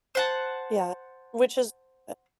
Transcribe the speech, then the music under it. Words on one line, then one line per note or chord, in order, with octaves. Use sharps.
Yeah. Which is eh
C5 F#5 A5